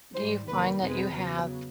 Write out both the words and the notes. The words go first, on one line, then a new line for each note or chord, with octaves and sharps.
Do you find that you have
G#2 E3 G3 C5
F2 C3 D#3 G3 A#3 B4
E2 B2 G#3 C4 B4
C#3 F#3 B3